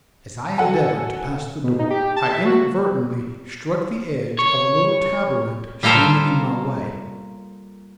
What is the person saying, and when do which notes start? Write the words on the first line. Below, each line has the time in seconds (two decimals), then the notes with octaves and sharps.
As I endeavored to pass the door, I inadvertently struck the edge of a little taboret standing in my way.
0.58 F#4 A4 F#5 G#5
1.64 B2
1.79 D#4
1.90 G4
2.16 A5
2.32 E5
2.45 F#4
4.39 C#5
5.83 G3 A#3 F4 A4 A#4 C5